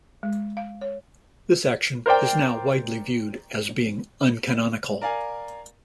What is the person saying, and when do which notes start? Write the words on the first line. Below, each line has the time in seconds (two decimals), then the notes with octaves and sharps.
This action is now widely viewed as being uncanonical.
0.23 G#3
0.57 F5
0.81 C#5
2.06 A#4 C5 D5 G5
5.01 A#4 D5 F5 G#5